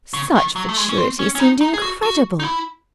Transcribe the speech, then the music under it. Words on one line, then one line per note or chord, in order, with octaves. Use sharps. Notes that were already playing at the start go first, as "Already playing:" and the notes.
Such fatuity seemed incredible.
C#3
D#3
F#3
A3
G#3
C#4
C4
C#4
C#4
D#4
D#4
G#4
F#4
F#4
D#4
E4